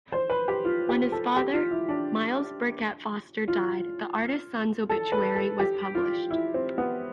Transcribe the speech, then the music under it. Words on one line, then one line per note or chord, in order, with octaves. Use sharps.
When his father, Myles Birket Foster died, the artist son's obituary was published.
C5
B4
G4
F4
G4
A4
G4
F4
E4
D4
F4
A4
B4
A4
G4
F4
E4
C4
B3